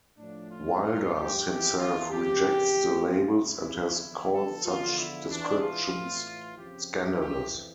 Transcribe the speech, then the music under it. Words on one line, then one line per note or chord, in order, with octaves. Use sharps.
Wilders himself rejects the labels and has called such descriptions "scandalous".
A2 F3 D4
F4
G2 F3 F4
G4
E2 E3
F4
F2 C#3 E3 G4
A2 E3
F4
F2 C#3 F3 E4
E2 D3 F3
A4
E2 D3 F3 F4
E4
E2 E3 D4
F4
A2 E3
F2 C#3 F3 G4
G4
F2 E3 G4